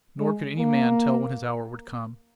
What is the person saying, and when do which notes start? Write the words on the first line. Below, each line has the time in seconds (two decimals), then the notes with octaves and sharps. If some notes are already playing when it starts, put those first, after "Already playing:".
Nor could any man tell when his hour would come.
0.19 G#3
0.58 A#3